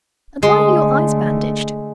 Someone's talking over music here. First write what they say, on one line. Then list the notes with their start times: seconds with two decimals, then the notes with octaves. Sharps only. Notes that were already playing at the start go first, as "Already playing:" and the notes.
'And why are your eyes bandaged?
0.43 D3 G#3 A3 C6